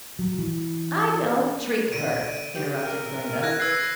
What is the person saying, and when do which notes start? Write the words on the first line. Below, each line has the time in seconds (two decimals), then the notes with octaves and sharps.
"I don't treat her," interrupted Brenda.
0.19 F#3
0.38 E3
1.92 D3 D7 D#7
2.55 G4
2.85 A#4
3.43 E3 F#6 G#6 A#6
3.60 B4 E6 G#6 C7